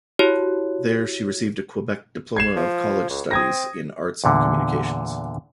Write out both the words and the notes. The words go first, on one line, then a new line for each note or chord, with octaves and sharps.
There, she received a Quebec Diploma of College Studies in Arts and Communications.
E4 F#4 G4 C#5
G#6 C7 E7
F3
C#2
C4 D#6 G#6 A#6
E2 A#2 D3